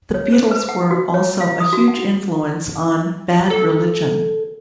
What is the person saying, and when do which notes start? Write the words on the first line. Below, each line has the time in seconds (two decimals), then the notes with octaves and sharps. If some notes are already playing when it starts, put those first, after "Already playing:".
The Beatles were also a huge influence on Bad Religion.
0.14 C#5
0.33 C5
0.51 B4
0.69 F#5
0.91 F#4
1.14 C#5
1.40 F5
1.60 D#6
1.73 F#4
1.88 F#5
3.50 A4